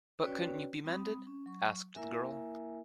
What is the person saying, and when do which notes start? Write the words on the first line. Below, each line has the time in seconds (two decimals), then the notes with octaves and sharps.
But couldn't you be mended? asked the girl.
0.24 C#4 F#4 B4 C#5 D5 G5
0.84 G3 C4 B5 D#6
1.27 C#4
1.46 F#3 C#6
1.95 A#3 E4 A#4 E5 G#5